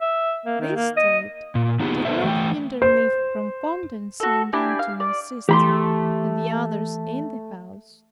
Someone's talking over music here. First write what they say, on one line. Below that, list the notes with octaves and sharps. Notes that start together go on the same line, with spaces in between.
This state did not hinder me from condescending to my sister, and the others in the house.
E5
A#3
D#3
A#3
D#5
A#2
B3 D#4 F4 G4 G#4
B3 A4 B4 C5 E5
E3 A3 G5
C5
F#4 A4
D4 E4 G4 G#5
F5
D5
E3 A3 G4 B5 C6 D6